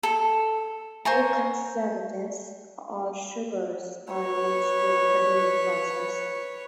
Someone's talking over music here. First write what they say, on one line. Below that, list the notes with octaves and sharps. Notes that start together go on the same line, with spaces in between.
No conservatives or sugars are used during the brewing process.
A4
C5 C#5 G#5 A#5
B4 C#5